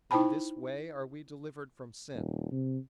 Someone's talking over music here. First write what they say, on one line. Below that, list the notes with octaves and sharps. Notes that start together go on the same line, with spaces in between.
In this way are we delivered from sin.
D#4 E4 C5 G5 A5 B5
D#1
C3